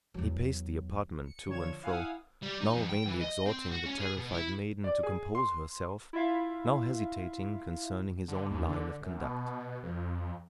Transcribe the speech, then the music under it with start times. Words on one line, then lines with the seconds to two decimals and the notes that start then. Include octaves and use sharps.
He paced the apartment to and fro, now vainly exhorting the terrified maiden to compose herself, now hesitating concerning his own line of conduct.
0.14 E2 F#3
1.25 C#7
1.47 D3 F3 C#5 C#6 G#6 E7
1.83 E4 F5 F#5 G#5 D#6 E6
2.43 G3
2.62 D#4
2.75 F2
2.90 G5
3.06 E3
3.21 D#5
3.46 C4
3.71 F#4
3.86 C#4
3.98 G#4
4.16 B2
4.31 E4
4.84 D5
5.03 G#4
5.35 C6
6.13 E4 F4 E5 F5
8.28 D3
8.51 D#2
8.68 D3
9.01 F#2
9.20 B2
9.83 F2